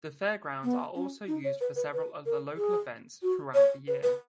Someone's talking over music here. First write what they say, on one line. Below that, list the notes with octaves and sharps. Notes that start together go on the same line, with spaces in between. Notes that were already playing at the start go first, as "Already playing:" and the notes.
The fairgrounds are also used for several other local events throughout the year.
B3
C#4
D#4
C#5
B4
B4
B4
A#4
G#4
F#4
C#5
B4
B4